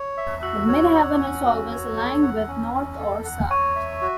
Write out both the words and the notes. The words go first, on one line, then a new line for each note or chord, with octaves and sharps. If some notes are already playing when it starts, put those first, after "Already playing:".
The Midheaven is always aligned with north or south.
Already playing: C#5
E5
F#4 E6
C#5
F#5
C#4
F#4
C#5
A4
F#5
C#4
C#4
A4
F#5
C#5 C#6
E5
F#4